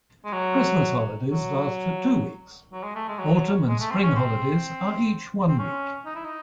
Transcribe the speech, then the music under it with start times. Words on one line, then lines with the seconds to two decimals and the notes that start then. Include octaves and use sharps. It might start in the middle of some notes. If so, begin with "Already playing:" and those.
Christmas holidays last for two weeks, autumn and spring holidays are each one week.
0.25 G#3
0.33 F#3
1.29 F#3
2.72 F#3
2.83 G#3
2.96 A3
3.08 G#3
3.19 F#3
3.68 G#3
3.80 A3
3.91 C4
4.03 C#4
4.15 C4
5.48 C4
5.59 C#4
6.06 D#4
6.15 E4
6.25 D#4